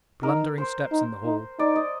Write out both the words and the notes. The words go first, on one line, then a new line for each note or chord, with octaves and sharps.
Blundering steps in the hall.
D#4 A#4
C5
D#4
D#4
D#4 D5
D#5